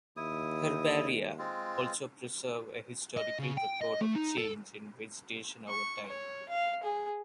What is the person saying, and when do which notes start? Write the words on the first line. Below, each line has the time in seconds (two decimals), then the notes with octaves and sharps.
Herbaria also preserve a historical record of change in vegetation over time.
0.17 D#2 E4 D#6
1.39 G#3 C4 F4
3.17 D#5
3.39 C#3
3.57 G5
3.81 D#5
4.01 A3
4.15 D#4
4.38 A4
5.69 C#6
6.07 C#5
6.49 F5
6.83 G#4